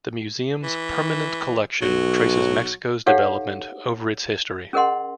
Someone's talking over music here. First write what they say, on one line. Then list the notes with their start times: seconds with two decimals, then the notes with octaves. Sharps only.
The museum's permanent collection traces Mexico's development over its history.
0.63 E3
1.82 B1 F#3
3.06 D#4 G4 A4 C#5 F5 F#5
4.73 C#4 G#4 A#4 D#5 F#5 C6